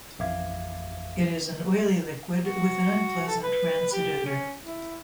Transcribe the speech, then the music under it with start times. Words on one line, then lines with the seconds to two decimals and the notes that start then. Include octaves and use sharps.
It is an oily liquid with an unpleasant, rancid odor.
0.19 A1 F2 E5 F5 D6 G#6
2.42 F#4
3.27 A4
3.42 B4
3.92 G4
4.26 C#4
4.62 E4